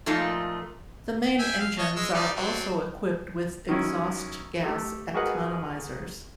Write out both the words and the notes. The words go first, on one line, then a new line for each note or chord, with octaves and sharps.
The main engines are also equipped with exhaust gas economizers.
A#2 F3 A3 A#3 D#4
E5 G5 G#5
F5
C#5 D#5 A5
G#3 D#5 E6
G3 D#4 D5
F#3 C4 D4
D#3 F#3 C#4 E4
A3 G4 A4
F#4 G#4 A#4 B4 D#5 F#5